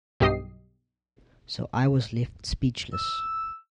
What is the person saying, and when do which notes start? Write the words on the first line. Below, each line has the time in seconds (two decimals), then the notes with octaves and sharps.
So I was left speechless.
0.20 B1 G2 G4 D#5 D#6 C7
2.94 E6